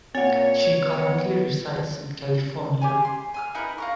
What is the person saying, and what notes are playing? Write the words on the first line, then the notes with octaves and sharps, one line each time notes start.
She currently resides in California.
A#2 C4 C#5 F#5
B3
G4 G#4 G#5
C6
G#5 E6 F6
D#4 E4 A#4 B4
F4 A#4 C#6